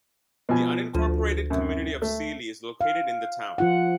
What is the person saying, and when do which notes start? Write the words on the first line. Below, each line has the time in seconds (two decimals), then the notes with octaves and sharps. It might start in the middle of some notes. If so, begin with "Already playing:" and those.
The unincorporated community of Seeley is located in the town.
0.49 B2 F3 G#5
0.95 D2 F3
1.50 F#2 C3
2.02 A3
2.81 F5
3.58 F3 F4 F#5